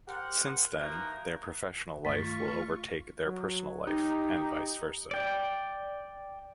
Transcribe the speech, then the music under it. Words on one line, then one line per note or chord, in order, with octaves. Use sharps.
Since then, their professional life will overtake their personal life, and vice versa.
G4 A#4 C5 F#5
E3 F3 A#3 D#4 F#4 A#4
G2 D#3 A3 F4 C#6 A6 B6
F#3
D#4 G4
D5 G5